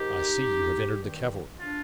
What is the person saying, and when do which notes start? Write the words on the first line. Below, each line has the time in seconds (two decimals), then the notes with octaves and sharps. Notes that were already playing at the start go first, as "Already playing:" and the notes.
I see you have entered the cavalry.
Already playing: G#2 D#3 D#4 G4
1.02 G2 D#3
1.59 D4 F4